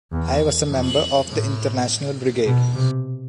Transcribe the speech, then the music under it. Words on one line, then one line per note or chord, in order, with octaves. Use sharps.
I was a member of the International Brigade.
E2
F2
A2
B2
C3